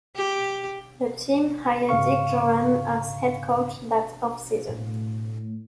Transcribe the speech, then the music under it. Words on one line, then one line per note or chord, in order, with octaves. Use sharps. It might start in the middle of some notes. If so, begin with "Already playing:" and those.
The team hired Dick Jauron as head coach that off-season.
G4
G#2 C#3 F5 C#6
A2